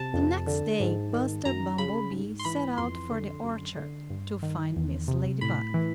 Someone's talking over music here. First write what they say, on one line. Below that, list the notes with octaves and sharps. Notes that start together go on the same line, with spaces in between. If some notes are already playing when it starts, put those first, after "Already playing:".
THE next day Buster Bumblebee set out for the orchard to find Mrs. Ladybug.
Already playing: C3 A5
F2
D3
G#2
D#3
F#2 A#5
C#3 B5
G#2
C6
E3 B5
F2 C6
D3
F#2
D3
G2
D#3
E2
C3
A2 B5
E3